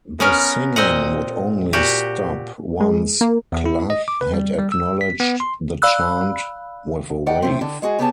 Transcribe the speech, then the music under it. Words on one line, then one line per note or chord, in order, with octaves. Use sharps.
The singing would only stop once Clough had acknowledged the chant with a wave.
B3 C#4 A#4
A#2 C4 D#5 F#5
A#2 F#4 G4
G#3
A#3
E2
E4
D#5
D6
B4
G3
G3
E6
B6
B3
C6
D5 F5 B5 E6 F#6
D#3 D5 F#5 G5
A2 C3 C4
D3
G#3 F#4 G#4
C#3 B3 G4 G#4 C5 A5